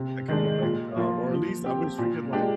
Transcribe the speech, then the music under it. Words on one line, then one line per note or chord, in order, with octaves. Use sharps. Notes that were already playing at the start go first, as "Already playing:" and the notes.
I could go back in time, or at least I wish we could, like
Already playing: C3
D#3 G#3 D4
A#2
F3 A#3 F4
F3
C4 G4
A#2
G#3 D4 G4